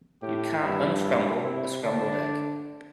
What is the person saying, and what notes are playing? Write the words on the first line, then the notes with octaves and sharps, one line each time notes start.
You can't unscramble a scrambled egg.
A2 G4
G2 E4
E4
C3 E4
D3 D4